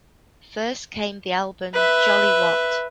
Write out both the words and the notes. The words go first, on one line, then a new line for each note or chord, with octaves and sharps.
First came the album Jolly What!
B4 E5